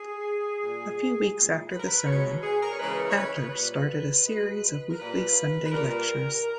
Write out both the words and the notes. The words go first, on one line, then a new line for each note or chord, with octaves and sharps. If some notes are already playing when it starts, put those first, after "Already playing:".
A few weeks after the sermon, Adler started a series of weekly Sunday lectures.
Already playing: G#4
A#2 G3
A#2 G#3
B4
A#4
B4
B2 G#3 C#5
G#4
A#4
C#5
C#3 E3 G#3 B4
C#5
C#5
B4
B4
A#2 G3
B2 G#3
A#4
A#2 G3 B4
B4
A#2 G3 A#4